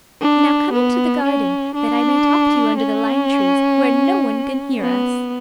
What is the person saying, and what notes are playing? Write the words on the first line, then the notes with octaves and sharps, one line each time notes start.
Now come into the garden, that I may talk to you under the lime trees, where no one can hear us.'
D4
B3
C#4
D4
C#4
B3